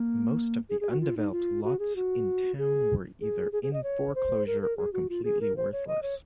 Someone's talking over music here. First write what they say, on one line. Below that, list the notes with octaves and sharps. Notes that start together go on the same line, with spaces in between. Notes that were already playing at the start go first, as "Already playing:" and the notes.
Most of the undeveloped lots in town were either in foreclosure or completely worthless.
Already playing: A#3
G#4
G#4
F#4
F4
D#4
F4
F#4
G#4
F#4
G#4
G#4
G#4
G#4
D#5
C#5
C5
A#4
A#4
G#4
F#4
F4
G#4
A#4
C5
C#5
D#5
C#5